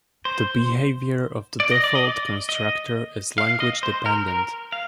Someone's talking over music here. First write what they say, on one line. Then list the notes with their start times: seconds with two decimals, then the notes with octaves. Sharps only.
The behavior of the default constructor is language dependent.
0.25 C5
1.60 D5
1.71 D#5
1.84 D5
1.95 D#5
2.07 D5
2.49 D#5
3.38 F5
3.60 D#5
3.83 C5
4.06 A#4
4.28 A#4
4.72 F5